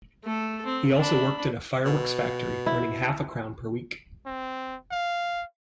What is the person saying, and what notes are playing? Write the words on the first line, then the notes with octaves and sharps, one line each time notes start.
He also worked in a fireworks factory earning half a crown per week.
A3 A4
C4
D4 B5
B2
E4
C4
F5